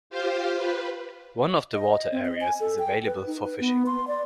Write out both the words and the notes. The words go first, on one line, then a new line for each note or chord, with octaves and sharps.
One of the water areas is available for fishing.
F4 G4 C5 F5
B4
D#5
C4
D#5
G#5
A4
G5
B4
D#4
B4
B3
C6
D5